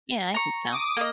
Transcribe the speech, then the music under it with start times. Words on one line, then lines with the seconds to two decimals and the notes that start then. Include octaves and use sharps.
Yeah, I think so.
0.34 A#5 C#6
0.72 D6 D#6
0.97 A#3 D#5